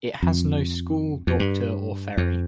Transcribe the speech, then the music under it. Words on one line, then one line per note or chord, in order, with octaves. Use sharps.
It has no school, doctor, or ferry.
F2
F2
G2
F2